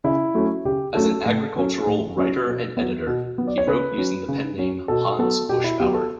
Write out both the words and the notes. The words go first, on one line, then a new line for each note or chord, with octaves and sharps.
As an agricultural writer and editor, he wrote using the pen name "Hans Buschbauer".
C#3 E4
F#3 A3 C#4
C#3 G4
F#3 A3 C#4 A4
A2 A4
F#3 C#4
A2
F#3 C#4
B2
F#3 B3
B2
F#3 B3
D5
C#5
C#3 B4
F#3 C#4
C#3
F#3 C#4
B2 A4
F#3 B3 A4
B2 G4
E4
F#3 B3 G4
A4